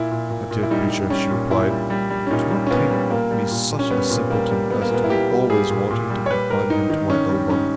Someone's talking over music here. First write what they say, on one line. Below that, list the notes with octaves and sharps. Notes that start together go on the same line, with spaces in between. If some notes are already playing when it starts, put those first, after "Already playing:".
My dear creature," she replied, "do not think me such a simpleton as to be always wanting to confine him to my elbow.
Already playing: A#2 E4
A#2
A#2
A#2
E4
G3 D#4
G3
G3 C#4
A#2
A#2 E4
G3
G3
G3
C#4
A#2 D#4
G3
C#4
A#2 B3
G3
A#2 A#3
G3
A#2
A#2
C#4
G3 B3
A#2
G3 A#3
G3
G3 B3
A#3
A#2 B3
E4
G3 G4
G3
G3 G#4
A#2
A#2
G3
C#5
G3 B4
G3 A#4
G#2 D#4
D#3 D#4
D#3 C#4
G3
G#2 C#4